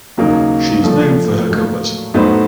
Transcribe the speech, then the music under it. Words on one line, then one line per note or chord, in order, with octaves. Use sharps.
She is known for her covers.
D#2 C#3 F#3 A#3 D#4
A#2 F3 A3
A2 F#3 A#3
A2 F#3 B3 D#4 C5